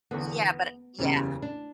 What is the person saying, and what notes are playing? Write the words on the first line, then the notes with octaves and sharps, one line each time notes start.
yeah but yeah.
E1 E2 D3 B3
F#1 E2 C#3 G3 C#4
D4